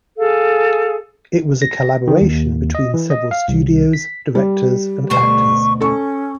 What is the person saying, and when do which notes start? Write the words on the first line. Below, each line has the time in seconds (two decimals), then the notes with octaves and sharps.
It was a collaboration between several studios, directors and actors.
0.18 G#4 A4 F5
1.62 A#6
2.07 D#3
2.21 D#2
2.75 D#5
2.94 E3
3.10 D#5
3.31 F5
3.48 C2
3.93 B6
4.35 G3
5.10 D2 B2 C5 C#6
5.81 C#4 A4 C#6